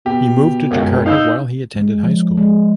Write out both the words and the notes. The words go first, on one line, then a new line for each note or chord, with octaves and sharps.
He moved to Jakarta while he attended high school.
B2 G4
G1 C#2 F#2
D#4 F5 E6 G6
G#3
F3
G#3